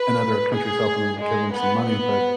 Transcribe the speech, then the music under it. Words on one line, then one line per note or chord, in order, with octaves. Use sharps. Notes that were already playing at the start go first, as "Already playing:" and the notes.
and other countries helping 'em give 'em some money, but
Already playing: B4
G#4
G#3
B3
B3